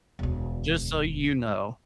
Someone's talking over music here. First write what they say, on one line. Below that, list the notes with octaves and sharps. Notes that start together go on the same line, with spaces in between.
Just so you know."
E1 D2